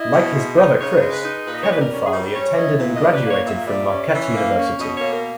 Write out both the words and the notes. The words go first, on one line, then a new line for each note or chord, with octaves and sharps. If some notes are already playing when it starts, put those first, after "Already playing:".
Like his brother Chris, Kevin Farley attended and graduated from Marquette University.
Already playing: E4 D#5
B2
G#3
D#4
C#3 C#5
G#3
B4
D#4
A#2 B4
D#5
C#5
G3 B4
A#4
C#4
G#4
G3 A#4
C#4 C#5
E4 D#5
A#2
D#5
G3
B4
A#3
C#5
A#2 E5
G3
C#4
E3
A#3
C#4
B2 D#5
C#5
A#3
A#4